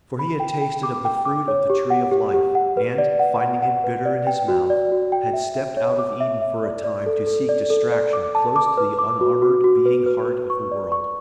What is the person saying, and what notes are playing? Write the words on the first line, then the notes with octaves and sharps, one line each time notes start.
For he had tasted of the fruit of the tree of life, and, finding it bitter in his mouth, had stepped out of Eden for a time to seek distraction close to the unarmoured, beating heart of the world.
B5
G5
G5
D6
G5
D6
C#5
G4
F#5
G4
G4
F#5
B4
D5
F#5
F#5
F#5
B4
D5
G5
F#4
D5
F#4
G5
E5
E5
C#5
D6
E5
E5
D5
D5
A4
A4
D5
A4
D5
D6
A5
D6
B4
D6
F#4
F#4
F#4
B4
B4
B4
C#6
D5
C#6